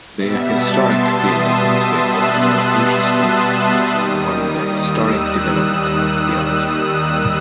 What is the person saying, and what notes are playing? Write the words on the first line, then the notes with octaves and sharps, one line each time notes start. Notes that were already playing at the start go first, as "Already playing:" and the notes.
They’re historic theologians, therefore, they are interested on the historic development of theology.
B2 G3 B3 E5
A5
C6
D#6
E6
F#6
E6
D#6
D#2 D#3 G3
E6
F#6
E6
F#6
E6
D#6
E6